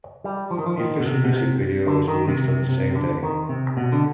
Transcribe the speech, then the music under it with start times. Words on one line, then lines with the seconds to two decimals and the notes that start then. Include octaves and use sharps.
The official music video was released on the same day.
0.24 G3
0.51 F3
0.58 D#3
0.66 F3
0.78 D#3
1.00 B2
1.06 C3
1.25 B2
1.33 C3
1.87 D3
2.08 D#3
2.28 C3
2.48 C3
2.69 C3
2.91 C3
2.95 D3
3.23 D#3
3.49 C3
3.77 B2
3.92 D3